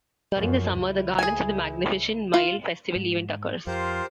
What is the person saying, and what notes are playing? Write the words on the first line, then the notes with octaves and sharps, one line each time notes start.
During the summer, the "Gardens of The Magnificent Mile" festival event occurs.
F#2 F3
C#2 E4
G#4 G#5
F4
G#2
F2 F4 G4 A#4 C5